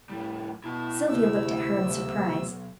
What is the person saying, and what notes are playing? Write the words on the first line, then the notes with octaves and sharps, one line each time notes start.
Sylvia looked at her in surprise.
F2 A2 G3
B2 E4 A5
D2 C3 E6
B1